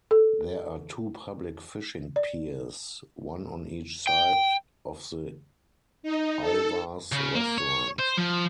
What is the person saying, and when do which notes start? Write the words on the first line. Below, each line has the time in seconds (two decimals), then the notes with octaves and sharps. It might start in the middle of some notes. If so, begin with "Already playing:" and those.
There are two public fishing piers, one on each side of the Ivar's restaurant.
0.11 A4
2.16 D5
4.07 G5
6.03 D#4
6.41 A4
7.12 C#3
7.35 A#3
7.58 C#5
7.99 C5
8.18 F3